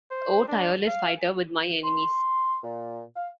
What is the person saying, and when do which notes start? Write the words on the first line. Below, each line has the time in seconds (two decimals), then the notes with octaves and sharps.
O tireless fighter with my enemies!
0.11 C5
0.48 D4
0.87 F5
1.84 C6
2.63 A#2
3.16 F5